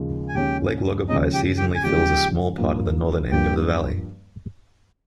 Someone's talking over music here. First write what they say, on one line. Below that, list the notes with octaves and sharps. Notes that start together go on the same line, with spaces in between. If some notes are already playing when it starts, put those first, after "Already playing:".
Lake Logipi seasonally fills a small part of the northern end of the valley.
Already playing: D#2 C#3 F3 G#3 C#4
G#5
D#2 C#3 F3 G#3 C#4 G4 G5
D#2 C#3 F3 G#3 C#4 D#4 D#5
G4 G5
G4 G5
G#5
D#2 C#3 F3 G#3 C#4 G4 G5
G2 F3 A#3
G2 F3 A#3 G4 G5